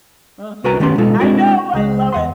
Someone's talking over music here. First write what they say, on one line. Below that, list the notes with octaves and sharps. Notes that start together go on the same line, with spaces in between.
Uh-huh. I know, I love it.
C2 F#4 A#4 B4 G#5 A#5
D#3 A3 B3 C#4 G4 C6
B2 G#3 D#4 F4 A4
G#3 C4 D4 E4 F#4 A#4
C#2 G#3
E2 F#5 C6